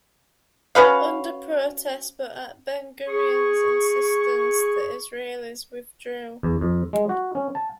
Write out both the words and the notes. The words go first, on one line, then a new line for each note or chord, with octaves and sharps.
Under protest but at Ben-Gurion's insistence, the Israelis withdrew.
C#4 F#4 B4 F5
G#4 C#6
E2
F2
G#3
F#4
C#4
A5